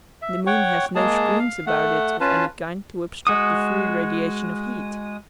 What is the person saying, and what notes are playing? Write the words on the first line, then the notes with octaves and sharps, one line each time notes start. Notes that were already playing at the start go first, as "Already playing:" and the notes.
The moon has no screens about it of any kind to obstruct the free radiation of heat.
E5
C#5 F#5 G5 C#6
G#3 A#3 G#4 A5
F5
A3 F#5
C#4 F4 B4 A5
G#3 F#4 D#6